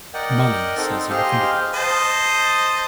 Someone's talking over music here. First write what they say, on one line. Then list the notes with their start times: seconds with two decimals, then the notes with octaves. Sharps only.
Mullen says he will think about it.
0.14 A#4 D5 D#5 F#5 G5
0.77 C4 D#4 A4
1.10 G4 G#4 C5 D#5 F5 G5
1.74 C5 D#5 A5